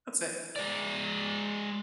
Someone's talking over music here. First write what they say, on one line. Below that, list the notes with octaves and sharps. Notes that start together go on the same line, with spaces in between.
That's it.
G#3 D5